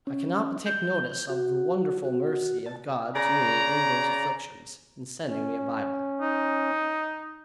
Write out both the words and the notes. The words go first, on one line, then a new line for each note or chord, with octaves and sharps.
I cannot but take notice of the wonderful mercy of God to me in those afflictions, in sending me a Bible.
C#4
G6
F#4
F#4
F#4
A5
C#3 D5 A#5
C#4
D#4